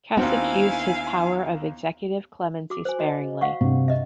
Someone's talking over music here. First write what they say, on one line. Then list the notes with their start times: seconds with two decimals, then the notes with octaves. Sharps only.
Kasich used his power of executive clemency sparingly.
0.17 D#2 B3 C4 D4 E4 F#4 F5 G#5
2.70 F#4 D6
2.85 C5 G#5
2.99 F#4 D#5
3.41 F5 F#5 C#6
3.61 G2 C3
3.88 D#5 E5